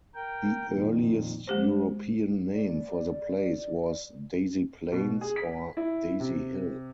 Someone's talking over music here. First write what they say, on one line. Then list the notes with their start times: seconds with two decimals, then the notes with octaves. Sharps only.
The earliest European name for the place was 'Daisy Plains' or 'Daisy Hill'.
0.15 A#4 G5
0.69 F2 A#2 D#3
1.47 G#3 G4 C5
2.53 D5
4.92 B2
5.21 G#4
5.36 B6
5.77 E4
6.20 C3